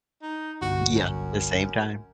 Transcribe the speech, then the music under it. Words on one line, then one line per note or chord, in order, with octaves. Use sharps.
Yeah. The same time.
D#4
G1 C2 F#4
F#2